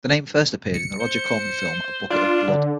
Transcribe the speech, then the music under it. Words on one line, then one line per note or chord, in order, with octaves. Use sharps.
The name first appeared in the Roger Corman film "A Bucket of Blood".
C#7
C5
D4 F4
D3